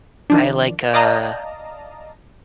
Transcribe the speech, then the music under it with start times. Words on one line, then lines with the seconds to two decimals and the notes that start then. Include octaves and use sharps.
I like, uh,
0.30 D#3 F3 D4
0.94 D5 D#5 F5 A5 A#5